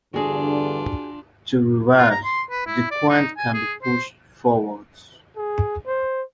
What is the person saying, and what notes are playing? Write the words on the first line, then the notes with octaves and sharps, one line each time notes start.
To reverse, the quant can be pushed forwards.
E2 G2 D3 D4 F4 F#4 G#4
F4
A#5
C6
B4
E4
D5
D#4
G#5
G#4
C5
G#4
C5